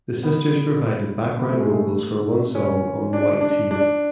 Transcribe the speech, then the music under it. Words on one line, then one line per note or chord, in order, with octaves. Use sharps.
The sisters provided background vocals for one song on "White T".
B3
B3
A3
G#3
A3
C#4
D4
D4
D4